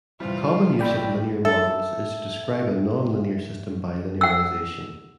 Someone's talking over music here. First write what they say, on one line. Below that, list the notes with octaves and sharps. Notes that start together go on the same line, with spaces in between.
A common use of linear models is to describe a nonlinear system by linearization.
C3 E3 G3 C4 F4
B1 A2 D5 G5 B5
A4 E5
F#5 E6